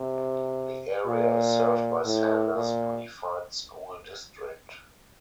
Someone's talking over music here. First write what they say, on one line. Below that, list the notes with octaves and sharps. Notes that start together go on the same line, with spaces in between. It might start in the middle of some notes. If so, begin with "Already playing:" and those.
The area is served by Sanders Unified School District.
Already playing: C3
A#2
A2
A#2